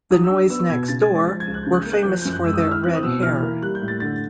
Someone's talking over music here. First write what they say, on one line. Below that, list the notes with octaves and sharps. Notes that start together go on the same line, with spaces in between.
The Noise Next Door were famous for their red hair.
F#3 D#6
E6
D4
B3 E6
B2 G#6
C#3 A6
G#6
G#3
A6
F3 A6
G#6
C#2
F#6
C#3 G6
F#6
A#3 G6
F#6
F3 G6
F#6
F#2 G6
F#6
G#3 E6
D#6
E6
E4
F6
C4 F#6
D#6
B2 E6
E3 F6
A#3
G3 F#6
G6
A2
A6
D3 A6